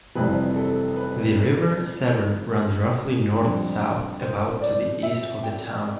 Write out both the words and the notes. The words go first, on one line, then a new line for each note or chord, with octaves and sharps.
The River Severn runs roughly north-south about to the east of the town.
F1 F2 C3 E3 G3 B4
A4
B4
F2 D3 G3
C5
D5
E5
G5